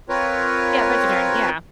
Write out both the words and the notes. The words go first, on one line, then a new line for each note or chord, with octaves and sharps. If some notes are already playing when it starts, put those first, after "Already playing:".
Yeah, vegetarian, yeah.
C4 F4 A#4 B4 C#5